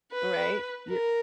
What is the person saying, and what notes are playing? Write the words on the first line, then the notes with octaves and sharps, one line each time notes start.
Right, y
B4
A#4